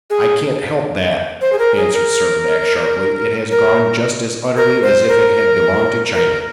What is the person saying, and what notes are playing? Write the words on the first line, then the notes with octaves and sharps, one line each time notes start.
"I can't help that," answered Servadac, sharply; "it has gone just as utterly as if it had belonged to China."
G#4
C5
G#4
A#4
G#4
A#4
A#4
A#4
C5
A#4
A#4